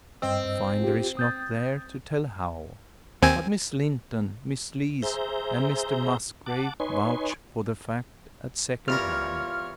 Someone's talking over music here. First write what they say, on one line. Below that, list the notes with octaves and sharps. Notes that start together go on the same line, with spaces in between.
The finder is not there to tell how; but Miss Linton, Miss Lees, and Mr Musgrave, vouch for the fact at second hand.
G2 C4 D#5 E6
F4 G4
D#6 G6 A6
D#2 C4 G#5
G#4 C5 E5 A#5 G6
F#5 A5 D6
D#4 B4 C#5 G#5 C6
E2 G3 F4 A#4 C#5 F6